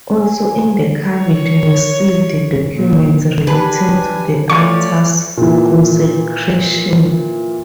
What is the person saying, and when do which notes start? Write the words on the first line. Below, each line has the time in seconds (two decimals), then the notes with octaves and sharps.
Also in the cavity were sealed documents relating to the altar's consecration.
0.19 G#5
1.16 C#5
2.75 A#2
3.47 D4 G4 B4 G#5
4.50 F3 A3 C#5 D5 C#6
5.37 A#2 E3